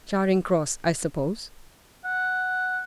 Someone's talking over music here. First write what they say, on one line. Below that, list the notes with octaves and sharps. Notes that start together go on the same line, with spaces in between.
"Charing Cross, I suppose!"
F#5